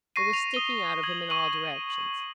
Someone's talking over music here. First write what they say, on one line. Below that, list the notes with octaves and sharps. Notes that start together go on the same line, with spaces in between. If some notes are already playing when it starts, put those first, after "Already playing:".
It was sticking out of him in all directions.
C#6 A#6 C7 D#7
F7
D#6 G7
D#6 G#6 F#7
C#6 D#7 F#7
F#7